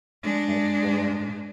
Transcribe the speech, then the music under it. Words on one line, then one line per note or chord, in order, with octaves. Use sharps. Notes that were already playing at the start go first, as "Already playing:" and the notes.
like, bull rider.
G#3 D4